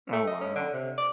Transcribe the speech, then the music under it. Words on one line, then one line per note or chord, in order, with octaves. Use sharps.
Oh, wow.
A3
D#5
C#4
D3
C3
D5